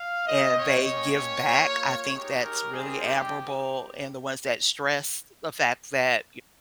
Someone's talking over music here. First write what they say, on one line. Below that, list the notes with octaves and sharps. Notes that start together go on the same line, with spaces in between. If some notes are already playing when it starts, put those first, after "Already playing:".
and they give back, I think that's really admirable, and the ones that stress the fact that,
Already playing: F5
C4 G4 D#5
C#5
A#3 C#4 G4
A#3 F4
G#3 D#4 G4
A#4
G3 C4 D#4 G4 G#4
G4